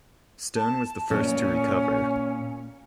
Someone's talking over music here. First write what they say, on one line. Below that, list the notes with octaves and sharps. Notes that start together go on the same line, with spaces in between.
Stone was the first to recover.
A5
A#2 C#4